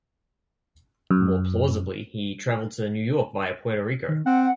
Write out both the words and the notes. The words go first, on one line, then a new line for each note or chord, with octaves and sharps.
More plausibly he travelled to New York via Puerto Rico.
F#2
D#3
C4 F#5